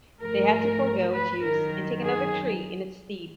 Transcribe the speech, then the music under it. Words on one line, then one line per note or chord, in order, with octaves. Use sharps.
They had to forgo its use and take another tree in its stead.
G#2 F3 A3 A#4
B4
F#2 D#3 F#3 A#4
G#4